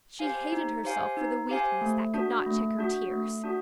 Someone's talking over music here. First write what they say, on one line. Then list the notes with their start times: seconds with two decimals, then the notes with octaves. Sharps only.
She hated herself for the weakness that could not check her tears.
0.19 G4 C5 F5 G#5
0.52 D#4
0.84 G4 C5 F5 G#5
1.17 D#4
1.49 G4 C5 F5 G#5
1.81 A3
2.14 D4 F#4
2.46 A3
2.78 D4 F#4
3.11 A3
3.44 D4 F#4